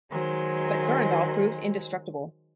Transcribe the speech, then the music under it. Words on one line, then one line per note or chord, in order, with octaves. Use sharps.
But Durendal proved indestructible.
D#3 F#3 G#3 C5